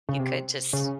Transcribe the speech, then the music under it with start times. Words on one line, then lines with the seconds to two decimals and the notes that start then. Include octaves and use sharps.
you could just
0.09 C#3
0.19 C3
0.73 C#3